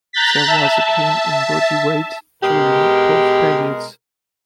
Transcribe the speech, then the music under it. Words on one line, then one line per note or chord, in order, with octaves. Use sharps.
There was a gain in body weight during both periods.
A#5 F#6 G6 A6 B6
E5 A5
B2 G#3 G4 A#4